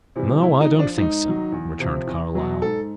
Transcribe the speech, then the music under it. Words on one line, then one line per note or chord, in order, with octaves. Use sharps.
"No, I don't think so," returned Carlyle.
C3 E3 G3
A2 E4
D#4
F3
D4
G#2 D#4
D#3 F#3
E2
C3 F3
E2
B2 F#3
G#2 A4